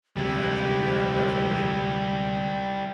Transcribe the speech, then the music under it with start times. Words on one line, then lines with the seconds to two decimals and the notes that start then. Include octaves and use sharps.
Gotcha, yeah, definitely,
0.17 D2 C3 G3 G#3 E4 G4